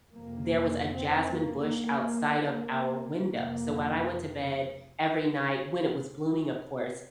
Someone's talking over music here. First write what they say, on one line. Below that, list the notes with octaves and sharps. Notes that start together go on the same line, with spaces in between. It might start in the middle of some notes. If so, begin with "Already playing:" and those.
There was a jasmine bush outside of our window, so when I went to bed every night, when it was blooming of course,
F2 C3 A#3
C4
A#3
F2 C3 A#3